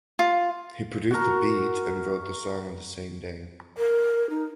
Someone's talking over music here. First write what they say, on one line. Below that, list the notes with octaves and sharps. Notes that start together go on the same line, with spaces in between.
He produced the beat and wrote the song on the same day.
F4
F#4 A#4
A#4
D#4